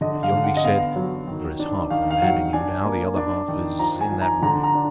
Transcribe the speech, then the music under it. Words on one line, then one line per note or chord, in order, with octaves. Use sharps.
He only said, 'There is half a man in you now--the other half is in that woman.
D3 D#5
F5
D3
F#5
D#5
B3 F5
F#3
D#3
D4
D#3 F5
F5
F#3 F#5
D4 G#5
A#3
D4
D#3
F3 A#5
G#5
F3
A#5
D3 A#5
A#5
D4